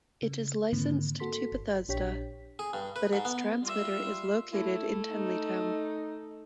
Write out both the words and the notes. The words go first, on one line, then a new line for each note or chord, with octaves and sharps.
It is licensed to Bethesda, but its transmitter is located in Tenleytown.
C#3
G#2 D3 D#3 A#3 C4
A#3 F#4 A4 C6 B6
G1
A#1 D4 G4 C#5 G5 B6
G#4
G2
B4
G#2
B3
G3 F4 E5
A3 E4
D#4